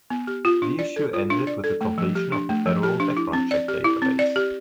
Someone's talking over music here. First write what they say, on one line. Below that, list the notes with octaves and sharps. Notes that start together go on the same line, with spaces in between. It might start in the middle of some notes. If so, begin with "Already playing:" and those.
The issue ended with the completion of the federal background check database.
B3
G4
F4
D4
D5
A4
F4
D4
D5
A4
A3
F3
G4
D4
A3
F3
G4
D4
E4
C4
D5
G4
E4
C4
D5
G4